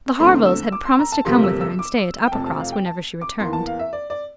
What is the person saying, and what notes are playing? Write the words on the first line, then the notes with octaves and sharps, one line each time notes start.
The Harvilles had promised to come with her and stay at Uppercross, whenever she returned.
E2 D3 A3 C4 C6
E6
D6
C6
A#5
A5
G1 F2 C3 G3 A#3 C6
E6
E6
D6
G5
F1 F2 C3 A5
A5
F5
G5
A5
D6
E2 E3 A#3 C6
A5
F5
E5
D5
D5